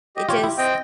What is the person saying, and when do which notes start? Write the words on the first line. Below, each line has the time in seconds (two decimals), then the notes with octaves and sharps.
It just
0.16 G4 D#5
0.29 F4 G4 C#5
0.44 E4
0.58 C4 D#5 G5